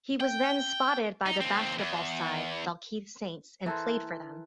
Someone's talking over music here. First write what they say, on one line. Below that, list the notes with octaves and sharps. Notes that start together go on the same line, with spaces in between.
He was then spotted by the basketball side Dalkeith Saints and played for them.
G5
D#4
D#2 C4
E2
E3 A4 A#4 C5